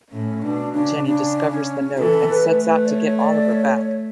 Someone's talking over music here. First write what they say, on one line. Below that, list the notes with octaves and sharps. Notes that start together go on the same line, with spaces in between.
Jenny discovers the note and sets out to get Oliver back.
A2 C#4
B2 D4
C#3 D4
C#3 D4
C#4
E3 A4
B4
A3
B4
D5
C#5
D5
C#5